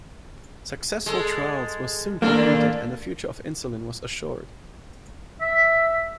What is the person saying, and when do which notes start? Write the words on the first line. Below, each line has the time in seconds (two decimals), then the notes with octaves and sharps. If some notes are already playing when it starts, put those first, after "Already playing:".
Successful trials were soon completed and the future of insulin was assured.
1.06 G#3 A4
2.22 D#2 A#3 D4 A4
5.41 E5